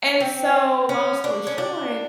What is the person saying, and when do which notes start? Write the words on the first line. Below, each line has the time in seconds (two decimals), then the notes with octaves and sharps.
And so, long story short,
0.20 C4
0.89 C#4
1.24 D4
1.47 C#4
1.58 D4